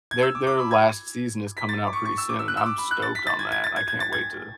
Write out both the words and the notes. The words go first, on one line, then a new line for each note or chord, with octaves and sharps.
their their last season is coming out pretty soon. I'm stoked on that. I can't wait to
G#6
E6
D6
D6
B5
G#6
B6
A6
D6
C#6
C#6
E6
D6
E6
F#6
E6
D6
B5
F#6
A6
B6
A6
G#6
G#6
A6
G#6
G#6
A6
G#6